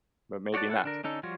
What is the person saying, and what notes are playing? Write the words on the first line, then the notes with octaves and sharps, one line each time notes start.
but maybe not.
F#4 C#5 D5 F#5 A5
E4 A4 F#5
D3 D4 A#4
D3 C#4 D#4 A4
F3 G3 F4 F#4 C#5